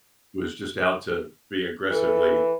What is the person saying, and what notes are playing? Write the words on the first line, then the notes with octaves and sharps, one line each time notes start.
was just out to be aggressively
E3 A4